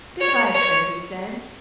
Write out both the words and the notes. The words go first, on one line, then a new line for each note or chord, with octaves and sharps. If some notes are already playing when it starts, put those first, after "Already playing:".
'Good-bye, sir,' he said.
C#5
C#5